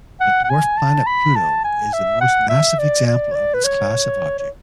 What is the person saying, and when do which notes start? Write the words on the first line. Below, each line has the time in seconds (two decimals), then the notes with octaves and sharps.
The dwarf planet Pluto is the most massive example of this class of object.
0.20 F#5
0.44 F#5
0.50 G#5
0.77 A5
1.07 B5
1.36 A5
1.64 G#5
1.93 E5
2.21 F#5
2.49 E5
2.79 D5
3.07 D5
3.32 C#5
3.35 D5
3.54 B4
3.64 C#5
4.39 C#5